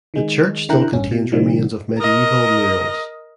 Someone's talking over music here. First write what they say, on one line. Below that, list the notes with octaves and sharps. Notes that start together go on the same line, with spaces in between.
The church still contains remains of medieval murals.
D#3 G#3
D3 E4 A#4 G5 A#5 F#6
A1 G2 C#4
B2
C3 D#3 F3 G3
A#4 D#5